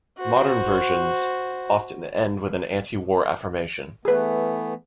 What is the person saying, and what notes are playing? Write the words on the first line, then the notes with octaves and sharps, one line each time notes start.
Modern versions often end with an anti-war affirmation.
F#4 C5
E3 A3 B3 G#4 B4